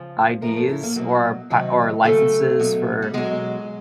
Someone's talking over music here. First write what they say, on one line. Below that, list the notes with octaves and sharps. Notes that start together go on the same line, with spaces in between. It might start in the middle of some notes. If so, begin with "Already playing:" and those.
IDs or pa or licenses for
Already playing: C#3 F3
A2 A#4
F3
A4
E4
A#3
B2 F#3
C3 D#3 F#3
C#3 F#3 A3
B2 F#3
G3
B2 F#3 G#3